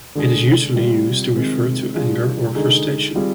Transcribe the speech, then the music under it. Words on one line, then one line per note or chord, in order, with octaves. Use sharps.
It is usually used to refer to anger or frustration.
D3 G#3 D4 G#4
C3 G3 C4 F4
C3 D#3 G#3 C4 F4
G3 D4 F4 G#4
D3 G#3 D#4 G#4
G3 C4 F4 G#4